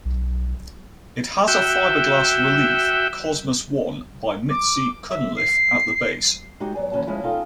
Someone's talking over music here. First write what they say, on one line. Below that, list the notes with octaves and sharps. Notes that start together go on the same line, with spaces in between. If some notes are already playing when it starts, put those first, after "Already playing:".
It has a fibreglass relief, "Cosmos I", by Mitzi Cunliffe, at the base.
B1
F#4 E5 G5
D6
E5
C7
G#3 D#4 F#4 G4
F#3 B3 D5 G#5
D#2 E3 C#4 F#4 A5
F3 G#3 C#4 E4 F4
C#4 D#4 F4 A4 G5 A5